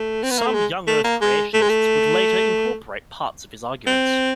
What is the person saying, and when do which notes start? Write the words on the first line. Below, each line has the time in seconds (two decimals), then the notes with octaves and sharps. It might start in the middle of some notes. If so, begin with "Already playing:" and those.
Some young Earth creationists would later incorporate parts of his arguments.
Already playing: A3
0.23 C4
0.31 B3
0.38 A#3
0.47 A3
0.54 G#3
0.88 A3
1.04 A#3
1.21 G#3
1.54 A3
1.62 G#3
1.69 A3
3.87 C4